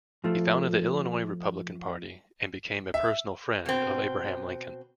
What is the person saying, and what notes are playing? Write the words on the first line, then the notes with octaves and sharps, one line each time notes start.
He founded the Illinois Republican Party and became a personal friend of Abraham Lincoln.
F3 A3
E5
B2 C4